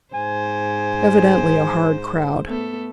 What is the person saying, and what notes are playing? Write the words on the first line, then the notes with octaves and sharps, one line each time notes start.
"Evidently a hard crowd."
G#2 C5 G#5
A3 B3 A4